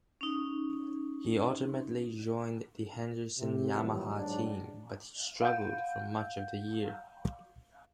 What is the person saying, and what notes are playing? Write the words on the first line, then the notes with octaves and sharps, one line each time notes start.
He ultimately joined the Henderson Yamaha team, but struggled for much of the year.
C#4 D#4
C3
F#2 A#2 D#3 E3 F#3 G3
G#2 F#3 D4
F5 F#5 G6